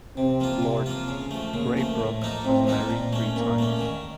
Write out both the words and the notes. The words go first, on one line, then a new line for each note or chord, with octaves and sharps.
Lord Braybrooke was married three times.
C3 C4
F3 A#3 F4
C3
F3 A#3 F4
C#3
F3 A3
C#3 A#3
F3 A3
A2
F3 A#3 D#4 A4
A2 C4
F3 A#3 D#4 A4
A#2
A3 C#4
A#2 A#3
A3 C#4
D#3